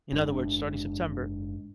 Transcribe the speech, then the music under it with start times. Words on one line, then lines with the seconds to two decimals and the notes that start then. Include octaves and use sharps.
in other words, starting September,
0.12 F#1 G#2 D4